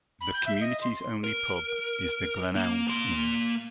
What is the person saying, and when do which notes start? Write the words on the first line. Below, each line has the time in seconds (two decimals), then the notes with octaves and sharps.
The community's only pub is the Glenelg Inn.
0.21 B5
0.34 G6
0.46 E5
0.61 D#5
0.82 C6
1.24 A#4
2.56 A#3
2.88 A#3 C6